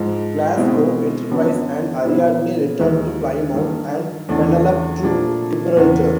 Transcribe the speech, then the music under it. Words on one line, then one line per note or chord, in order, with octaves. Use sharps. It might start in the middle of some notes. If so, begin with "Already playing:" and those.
"Glasgow", "Enterprise" and "Ariadne" returned to Plymouth and "Penelope" to Gibraltar.
Already playing: G#2 F3 G#3
B2 G#3 C4 E4
F#2 D3 F#3 B3
A#2 F#3 B3 E4
D#2 D#3 G#3
G2 D#3 G3
E2 C#3 E3 A3 D4
A#2 F3 A3 D4
E2 C#3 E3